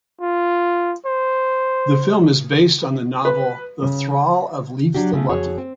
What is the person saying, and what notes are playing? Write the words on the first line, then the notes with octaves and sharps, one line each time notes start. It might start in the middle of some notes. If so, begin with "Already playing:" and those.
The film is based on the novel "The Thrall of Leif the Lucky".
F4
C5
B4
C#3
F#3 D4 F#4 G4
C#3 A3 F4
F2 F#4 G#4 C#5
C4